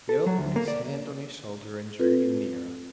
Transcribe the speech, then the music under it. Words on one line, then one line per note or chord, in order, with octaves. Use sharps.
The Earl put his hand on his shoulder and drew him nearer.
A4
F#3
D2
A#3
D5
C4 F4 A4 B4